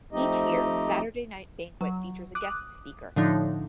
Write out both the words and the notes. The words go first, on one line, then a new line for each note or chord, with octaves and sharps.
Each year, the Saturday night banquet features a guest speaker.
F3 A3 C4 D#4 G4 D#5
F#3
D6 D#6 F#6
A2 D3 F3 D4 D#4